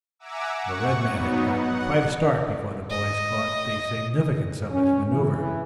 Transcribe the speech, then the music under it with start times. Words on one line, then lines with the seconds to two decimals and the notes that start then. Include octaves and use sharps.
The red man had gotten quite a start before the boys caught the significance of his manoeuvre.
0.19 E5 F#5 G#5 A#5 D6 E6
0.57 F#5 C#6
1.02 F#3 B3 D#4
1.49 F#5
2.90 D#5
4.71 C#4
5.12 E3